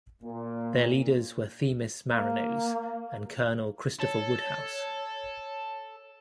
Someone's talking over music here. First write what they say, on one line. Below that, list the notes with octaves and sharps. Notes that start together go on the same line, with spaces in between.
Their leaders were Themis Marinos and Colonel Christopher Woodhouse.
A#2
A#3
A4 C#5